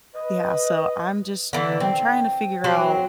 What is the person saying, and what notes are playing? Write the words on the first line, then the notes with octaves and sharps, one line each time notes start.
Yeah, so, I'm just I'm trying to figure out
B4 D#5
D3 E3
C4
F#3 C4 F#5